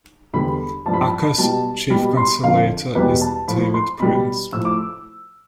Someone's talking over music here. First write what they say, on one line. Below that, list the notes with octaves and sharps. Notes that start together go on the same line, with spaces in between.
Acas' chief conciliator is David Prince.
E2 D3 G3 B5
G2 F3 A5
B5
A5
B2 G3 A5
B2 G3 B5
C6
F2 D3 F3 F5
E2 B2 G3 B4
A5
A2 F3 B5
C6
B2 G3 B5
A2 F3 E6
D6